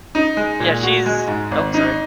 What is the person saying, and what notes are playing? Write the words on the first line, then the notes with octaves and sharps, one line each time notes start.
Yeah, she's ope, sorry.
D#4
G#3
A#2
F#4
G#3
G#2
G#1
D#4